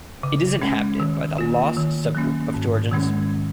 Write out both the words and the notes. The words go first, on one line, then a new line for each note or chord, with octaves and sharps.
It is inhabited by the Laz subgroup of Georgians.
C#3
G#3 C#4
D#3
A#3 F4
D#3
F#3 A#3 C#4
G#2
D#3 G#3 C#4